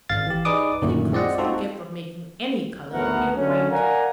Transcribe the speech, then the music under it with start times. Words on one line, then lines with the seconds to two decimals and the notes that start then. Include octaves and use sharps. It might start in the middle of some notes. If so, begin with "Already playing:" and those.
It includes the gift of making any color appear white.
0.09 G#1 F5 A6
0.26 E3 G4
0.45 D#4 G#4 B4 D5 D6 D#6
0.82 F#2 A#2 D3 D#3 A3
1.12 G#3 C4 D5 D#5 F#5
1.38 C4 D#4 F4 F#4 A4
2.91 G#1 D2 A3 B3 A#4 F#5
3.36 D3 F#3 C#4
3.71 A#4 D5 F5 F#5 G#5 A#5